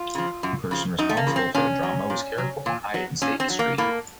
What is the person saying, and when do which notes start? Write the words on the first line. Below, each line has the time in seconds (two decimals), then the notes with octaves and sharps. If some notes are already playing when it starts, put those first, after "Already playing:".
The person responsible for the drama was careful to hide and stay discreet.
Already playing: F4
0.15 C#3 F3
0.43 F#2
0.71 C#3 F3
0.98 F#2 D#4
1.09 A3
1.17 A#3
1.27 C#3 F3
1.36 C4
1.55 A#2 C#4
1.83 F#3
2.10 A#2
2.38 F#3
2.66 A#2
2.94 F#3
3.22 A#2 C#4
3.40 C4
3.50 F#3
3.59 A#3
3.78 A2 A#3